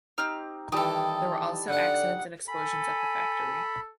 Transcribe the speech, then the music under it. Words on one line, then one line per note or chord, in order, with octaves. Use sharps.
There were also accidents and explosions at the factory.
C4 D#4 G4 F6
D#3 E3 G3 G4 A4 A5 D#6
D3 D4 F#5
A4 G#5 B5